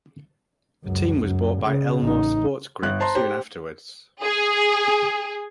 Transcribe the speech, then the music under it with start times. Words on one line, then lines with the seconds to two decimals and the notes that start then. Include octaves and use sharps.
The team was bought by Elmore Sports Group soon afterwards.
0.84 C#2 F#2
1.23 F#2
1.63 C#3
2.01 A1 D#4
2.82 G1 F#6
3.00 C5 A5 A#5 C6
3.15 G4 C5
4.22 G#4